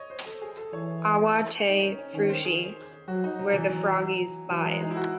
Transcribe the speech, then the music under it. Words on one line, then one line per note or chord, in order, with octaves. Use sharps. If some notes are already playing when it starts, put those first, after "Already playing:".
"Awa tae Freuchie where the froggies bide".
Already playing: C#5 D#5
C5
A4
G#4
A4
E3 C#5
D#4
C#4
C#4
D#3 C#4
C5
G#4
F#3 F#4
D#4
F#3
E3
F#3
E3 F#3
G#3
D#4
E4
F#4